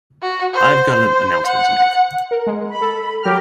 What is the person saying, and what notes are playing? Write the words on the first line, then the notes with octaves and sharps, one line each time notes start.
Iâve got an announcement to make.
F#4
C5
C5
F#5
A#4
G#3
B5
A4
F#3 G4 A#4 F6